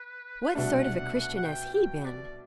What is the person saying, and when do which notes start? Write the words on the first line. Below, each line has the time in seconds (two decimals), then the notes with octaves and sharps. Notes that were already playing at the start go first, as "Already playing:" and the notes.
"What sort of a Christian has he been?"
Already playing: B4
0.55 C2 B2 A3 D4 F#5
1.37 F#5
1.44 G5
1.74 G5
2.05 D5